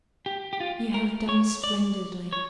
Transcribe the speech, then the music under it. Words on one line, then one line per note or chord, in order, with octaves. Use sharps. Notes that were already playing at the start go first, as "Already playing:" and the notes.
"You have done splendidly."
G4
G4
F4
A#4
C#5
D5
C#5